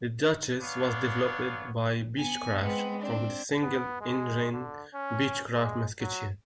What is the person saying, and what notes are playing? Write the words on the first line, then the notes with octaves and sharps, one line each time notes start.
The Duchess was developed by Beechcraft from the single-engined Beechcraft Musketeer.
B3 D4 C#5 F5
B3 G#5
G#3 B3 C4
C4 D4
B3
G#3
D3
C#4
G#3
F#3